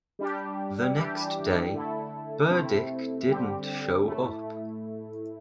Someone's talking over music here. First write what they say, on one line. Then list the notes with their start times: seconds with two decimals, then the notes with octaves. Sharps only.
The next day, Burdick didn't show up.
0.19 G3 D4 G4
0.96 E3 G3 D4 G4
1.73 D3 A3 E4 A4
2.50 C3 A3 C4 E4
3.27 D3 G3 C4 G4
4.04 A2 A3 E4